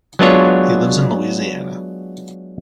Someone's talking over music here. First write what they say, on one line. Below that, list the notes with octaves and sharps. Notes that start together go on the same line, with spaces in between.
He lives in Louisiana.
F#3 G#3 B3 D4 F4 C#5